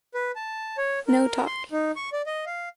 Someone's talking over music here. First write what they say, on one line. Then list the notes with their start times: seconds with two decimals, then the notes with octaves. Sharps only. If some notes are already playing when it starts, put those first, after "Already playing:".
No talk.
0.14 B4
0.36 A5
0.78 C#5
1.07 A#4
1.46 C6
1.72 D#4
1.96 C#6
2.13 D5
2.26 D#5
2.46 F5